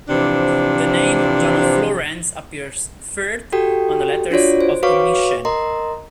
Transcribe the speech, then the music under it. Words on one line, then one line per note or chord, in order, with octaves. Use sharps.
The name "John of Florence" appears third on the letters of commission.
C3 E3 F3 D4
F#4 G4 A4 G5
D4 F4 F#4 C#5 D5
C5
F#4 B4 C#5 F5 C#6 D6
A#4 D#5 A#5 C6